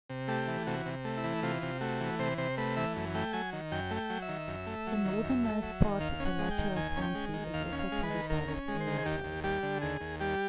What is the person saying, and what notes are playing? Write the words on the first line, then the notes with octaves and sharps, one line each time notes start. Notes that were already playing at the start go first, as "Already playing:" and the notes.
The northernmost part of Alachua County is also covered by this area code.
C3
A3 G4
E3
C3 F#4
C3
A3
E4
E3
C3 F4
C3
A3 F#4
E3
C3 C5
C3 C5
A3 B4
E3 E5
F#2
A3 G5
F#3 G#5
D#3
F#2 G5
A3
G5
F#3
E5
D#3
F#2
A3
F#3
D#3
F#2
A3
F#3
D#3
D#2 F5
C#4
F#5
G#3
G5
D#3
D#2 G#5
C#4
G5
G#3
D#3
D#2 F5
C#4
F5
G#3
B4
D#3
D#2 A#4
C#4
G#3
C5
D#3
G#4
D#2 G4
D#2
G3 G4
D3
D#2 G#4
D#2
G3 G4